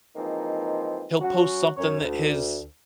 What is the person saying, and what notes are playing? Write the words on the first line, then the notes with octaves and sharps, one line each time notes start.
he'll post something that his
E3 F3 G#3 A#3 C4 D#4
F#3 C#4 F#4
F#2 C#5
D2